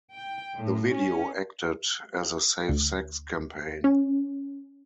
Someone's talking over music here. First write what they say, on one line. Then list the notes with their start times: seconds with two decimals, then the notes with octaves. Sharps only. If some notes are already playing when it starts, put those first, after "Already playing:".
The video acted as a safe sex campaign.
0.13 G5
0.57 A2
0.92 C#4
2.69 D2
3.84 C#4